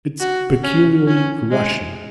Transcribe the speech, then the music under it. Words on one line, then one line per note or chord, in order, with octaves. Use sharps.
It's peculiarly Russian.
F#4
C#4
C#4
G#3